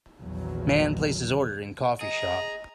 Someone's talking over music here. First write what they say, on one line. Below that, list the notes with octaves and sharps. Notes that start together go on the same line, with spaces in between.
Man places order in coffee shop.
A#1 E2 D#3 F3 F#3
G#4 D#5 A#5